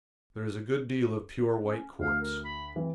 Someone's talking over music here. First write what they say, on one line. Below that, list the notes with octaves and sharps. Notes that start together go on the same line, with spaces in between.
There is a good deal of pure white quartz.
C#4
D2 F5
A#4
B5
E3 C4